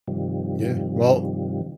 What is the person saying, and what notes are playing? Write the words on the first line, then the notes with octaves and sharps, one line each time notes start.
Yeah, well,
G2 C3 D#3 F3 G3